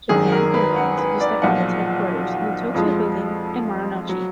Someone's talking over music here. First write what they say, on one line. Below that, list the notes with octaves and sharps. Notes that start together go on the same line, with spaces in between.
Japan Airlines used to have its headquarters in the Tokyo Building in Marunouchi.
G#1 F#2 D#3 G#4
A#4
B4
F#5
B4
D5
B1 A#2 F3 F#5
F2 F3 G#3
F#3